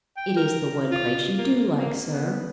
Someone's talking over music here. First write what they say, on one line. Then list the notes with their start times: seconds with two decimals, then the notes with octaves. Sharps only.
"It is the one place you do like, sir."
0.17 G5
0.37 A#4
0.92 F4
1.38 A#3
1.79 A#3
2.08 B3